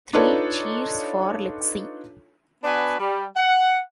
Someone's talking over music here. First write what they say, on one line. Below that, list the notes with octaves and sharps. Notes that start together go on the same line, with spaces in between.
Three cheers for Lexi!
D4 D#4 F4 A4 B4 C#5
B3 D4 F#4 B4 G#5
G3
F#5